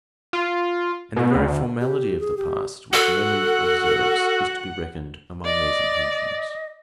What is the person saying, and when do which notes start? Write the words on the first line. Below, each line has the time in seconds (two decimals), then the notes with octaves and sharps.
And the very formality of the past, which memory observes, is to be reckoned among these intentions.
0.33 F4
1.16 B2
1.35 D2
1.80 G4
2.20 G#4
2.37 G4
2.93 F#4 A4 F#5
5.45 D5 D#5